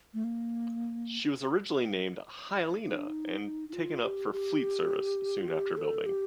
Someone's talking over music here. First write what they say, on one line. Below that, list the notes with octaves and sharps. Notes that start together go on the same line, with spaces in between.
She was originally named "Hyalina" and taken up for Fleet Service soon after building.
A3
A#3
D#4
D4
D#4
D#4
F4
G4
G4
F4
G4
A4
G4